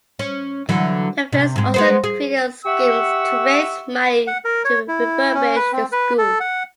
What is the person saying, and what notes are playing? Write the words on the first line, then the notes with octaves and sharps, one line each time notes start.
The Friends also created schemes to raise money to refurbish the schools.
C#4
D3 E3 F#3
C3
G#2 G#3
G#3 B3 C5
G#4
G4 E5 F#5 C#6 E6
F#5
A#4
C#5
E4
C#4
B4
C4
B4
A4
F#5